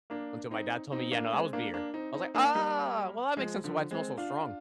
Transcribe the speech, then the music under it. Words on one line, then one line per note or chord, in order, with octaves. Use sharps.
until my dad told me, "Yeah, no, that was beer." I was like, "Ah, well, that makes sense to why it smells so strong."
A#3 D4
C4 D#4
C4 D#4
A#3 D4
G#3 C4
A#3 D4
A#3 D4
C4 D#4
C4 D#4
A#3 D4
G3 A#3
F3 G#3
D3 F3
G#3 C4
D4 F4